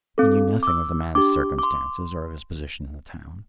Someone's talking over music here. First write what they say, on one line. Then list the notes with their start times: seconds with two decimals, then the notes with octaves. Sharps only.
He knew nothing of the man's circumstances or of his position in the town.
0.18 C4 A4
0.63 D6
0.67 E6
1.15 D4 G4 D6
1.59 D6
1.63 C6